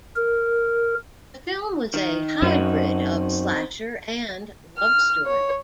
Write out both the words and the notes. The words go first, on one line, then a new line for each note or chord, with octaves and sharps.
The film was a hybrid of slasher and love story.
A#4
D#3
F#2 C4 D#4 F#4
F6
C#5